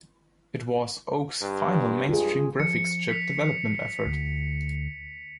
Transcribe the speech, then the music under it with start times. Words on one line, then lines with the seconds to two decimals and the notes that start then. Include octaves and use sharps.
It was Oak's final mainstream graphics chip development effort.
1.42 G2
2.09 G2 F4 G#4
2.60 F3 C#7
3.09 B6 C7 F7
4.06 D2